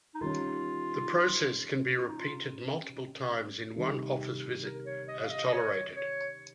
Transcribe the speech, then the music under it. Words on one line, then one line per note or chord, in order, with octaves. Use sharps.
The process can be repeated multiple times in one office visit, as tolerated.
D#4
D#3 G3 C#4 F4
F4
D#4
F4
C3 D#3 G3
A#4
C#5
D#5
F5
D#5
D#5
C#5
C#5